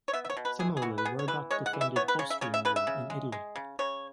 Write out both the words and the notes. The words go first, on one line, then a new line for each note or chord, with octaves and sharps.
Similarly Roebuck defended Austrian rule in Italy.
C#5
B3 E5
E5
C#5
B2
B4
E3 G#4
G#4
E3 F#4
B4
B3 G#4
C#5
E3 B4
G#3 C#5
F#5
E3
E5
B3 C#5
B4
C#3 C#5
E5
C#3 C#5
E5
C#3 B4
E5
C#3
G#3
G#3
C#3
C#3 C#5